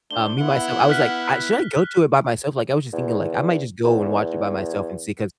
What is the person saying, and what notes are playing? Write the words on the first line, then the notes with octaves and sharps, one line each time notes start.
um, me, myself I was, like, "I should I go to it by myself?" Like, I was just thinking, like, I might just go and watch it by myself and see, 'cause
A3 D4 C5 G7
B3 E4 F#5
F6 F#6 B6
E2
E2